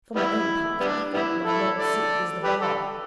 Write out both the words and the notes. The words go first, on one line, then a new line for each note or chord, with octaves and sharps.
For my own part, I feel that my long suit is the Bar.
G3 B3 E4
G3 B3 D4
G3 B3 E4
E4 A4
A4 D5
G4 B4
A4 D5